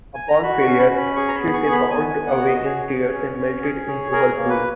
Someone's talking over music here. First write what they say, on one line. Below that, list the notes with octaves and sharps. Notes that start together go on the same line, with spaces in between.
Upon failure, she dissolved away in tears and melted into her pool.
G#5
A#5
F#4 B5
C#6
C#4
B5
C#4
B5
G#4 C#6
A#5
B5
B3
C#6
B3
B5
B3 G#5
G#5
B3
F#5
F#4 C#5
D#5
G#4 C#5
G#4
C#4
C#4
G#4
G#4
G#4 A#4
C#5
A#3
B4